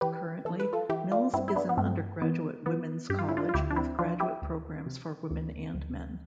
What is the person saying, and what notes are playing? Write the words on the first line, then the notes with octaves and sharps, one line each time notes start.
Currently, Mills is an undergraduate women's college with graduate programs for women and men.
E3 G4 B4
E3 A4
B4
F4 A4
E3 E4 G4
D4 F4
G2 C4 E4
E4
B3 D4
B3
G2 A3 C4
E3 B3
E3 B3
G2 G4
F4
E4
D4 F4
F4
D2 E4 G4
D4
C4 E4
F3 D4 F4
E4 G4
D2
C3
D2
D2